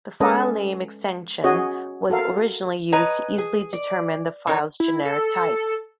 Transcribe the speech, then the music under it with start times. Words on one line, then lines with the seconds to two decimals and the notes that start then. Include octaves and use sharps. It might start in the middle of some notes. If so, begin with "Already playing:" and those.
The filename extension was originally used to easily determine the file's generic type.
0.20 G#3 C#4 A4 B4 D#5
1.44 C#4 F#4 G#4 C#5 D#5
2.10 F#4 A4 A#4 F5
2.92 B4 C#5 D#5 G#5 A#5
3.38 G#4
3.73 D5
4.47 E3 D#4 A#4 C#5
4.80 E4
5.05 A4